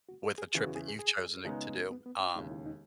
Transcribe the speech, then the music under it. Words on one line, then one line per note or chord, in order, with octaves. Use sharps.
with a trip that you've chosen, eh, to do. Um,
F#4
A4
G#4
E2 C#3 E3
F#4
G#4
G#4
G#4
C#2 C#3 G#3 B3 D#4
B3
B3
C#4
E1 D#2 C#3 D#4
E4
D#4